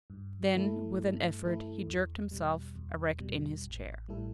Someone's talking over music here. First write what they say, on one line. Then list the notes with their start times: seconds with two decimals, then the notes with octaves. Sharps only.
Then, with an effort, he jerked himself erect in his chair.
0.10 G2
0.55 E3 A3 E4 A4
0.98 G2
1.43 E3 A3 E4 A4
1.87 E2
2.31 B2 G3
2.75 E2
3.20 B2 G3
3.64 A1
4.08 A2 G3 E4 A4